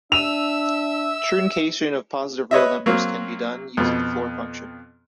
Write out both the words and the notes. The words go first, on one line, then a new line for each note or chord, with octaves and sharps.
Truncation of positive real numbers can be done using the floor function.
D4 E5 E6 D#7 F7
B4 C#5 D#5 E5
F#3 A#3 C4
F2 B2